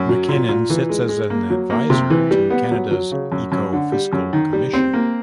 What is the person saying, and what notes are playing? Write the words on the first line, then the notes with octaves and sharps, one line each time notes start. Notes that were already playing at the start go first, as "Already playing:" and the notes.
MacKinnon sits as an advisor to Canada's Ecofiscal Commission.
Already playing: F#2
F#3
A#2
A#2
E3
G#3
G#3
A#3
F#3
A#3
C3
E3
G3
B3
F#3
F#3
C#3
F#2
F#2
D3
G3
F#2
D#3
G3
C4
A#3